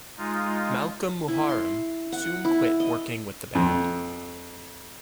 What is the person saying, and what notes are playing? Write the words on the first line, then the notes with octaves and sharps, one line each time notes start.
Malkolm Muharem soon quit working with the band.
G#3 D#4 F4
E4
C6
F#5
E4
D#5
F2